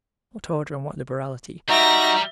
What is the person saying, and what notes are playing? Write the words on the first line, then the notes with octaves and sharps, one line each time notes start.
What order and what liberality!
G3 D#4 F#4 E5 A#5 A#6